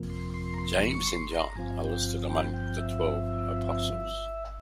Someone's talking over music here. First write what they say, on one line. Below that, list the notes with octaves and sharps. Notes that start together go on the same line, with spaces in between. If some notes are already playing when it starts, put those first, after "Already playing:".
James and John are listed among the Twelve Apostles.
Already playing: F2 C3 F3 A#3
C6
C6
A#5
C6
C#6
C6
A#5
G2 F3 C4 F4 G#5
G5
G5
G5
E5